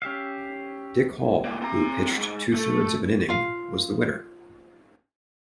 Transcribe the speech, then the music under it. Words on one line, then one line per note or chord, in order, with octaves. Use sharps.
Dick Hall, who pitched two-thirds of an inning, was the winner.
C#4 G4 E5 F5
C#2 A#3
C4 A#5
F2 G#2
A3
F4 F5